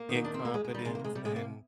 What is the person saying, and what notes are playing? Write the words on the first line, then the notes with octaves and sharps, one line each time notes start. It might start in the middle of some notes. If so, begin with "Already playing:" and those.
incompetence and
Already playing: A#3
D#3
D#4
D#2 D4
D#2 C4
A#3
D#2 G#3
G#3
D#3
G3
C3 G#3
A#3
D2
G#3
C3 G3
G#3
D2
A#3